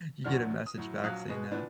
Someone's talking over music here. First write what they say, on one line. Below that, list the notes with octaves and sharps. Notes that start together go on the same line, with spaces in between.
you get a message back saying that.
A1 D2 F#3 D4 F#4 F6
D#6
A2 F#3
A#1 F#3 F5 D#6 F#6
B2 G#3
A#2 E3 B3 D4